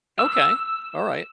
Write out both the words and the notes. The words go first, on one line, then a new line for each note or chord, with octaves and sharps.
Okay. Alright.
E6